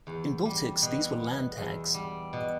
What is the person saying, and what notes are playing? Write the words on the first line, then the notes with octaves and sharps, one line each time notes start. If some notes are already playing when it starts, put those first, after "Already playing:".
In Baltics these were Landtags.
E2
G3
B2
B3
E2
G3
B2